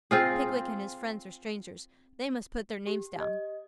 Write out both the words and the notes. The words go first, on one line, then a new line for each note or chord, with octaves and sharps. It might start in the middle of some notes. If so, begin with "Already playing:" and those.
Pickwick and his friends are strangers. They must put their names down.
C4 F4 G#4
G4
D#5